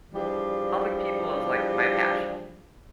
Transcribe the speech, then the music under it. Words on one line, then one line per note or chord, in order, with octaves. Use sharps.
helping people is, like, my passion,
E3 F3 G3 D4 G4 G#4